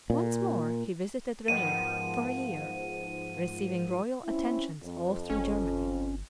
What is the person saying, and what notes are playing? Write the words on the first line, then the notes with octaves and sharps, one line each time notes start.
Once more he visited Rome, for a year, receiving royal attentions all through Germany.
A#2
G#2 B2 D#3 F3 D#7
C4 C#4 E4
F2
G1 C#4